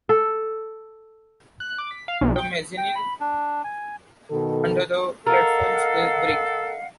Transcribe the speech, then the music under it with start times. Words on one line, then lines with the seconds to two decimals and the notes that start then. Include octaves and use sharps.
The mezzanine under the platforms is brick.
0.09 A4
1.60 F#6
1.78 D6
1.91 B6
2.08 F5
2.21 B1
2.36 G5
2.78 G5
2.96 B5
3.20 D4
3.64 G#5
4.30 B2 D#3 A4
5.27 A4 A#4 D#5 F5 F#5